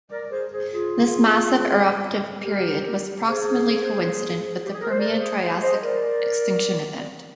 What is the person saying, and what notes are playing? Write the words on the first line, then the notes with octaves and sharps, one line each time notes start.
This massive eruptive period was approximately coincident with the Permian-Triassic extinction event.
A#4 D5
G#4 C5
G#4 C5
F4 G#4
G4 A#4
G#4 C5
G4
G#4
A#4
C5
A#4 D5
G#4 C5
G#4 C5
C5 D#5
A#4 D5